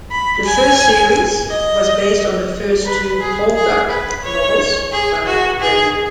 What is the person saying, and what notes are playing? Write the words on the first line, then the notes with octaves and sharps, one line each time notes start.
The first series was based on the first two "Poldark" novels by Graham.
B5
G#5
D#5
B4
G#4
G#4
B4
C#5
G#4
F#4
G#4